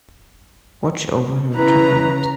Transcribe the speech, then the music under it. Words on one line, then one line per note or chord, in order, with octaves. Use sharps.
Watch over her tonight.
C#3 E4 B4 A#5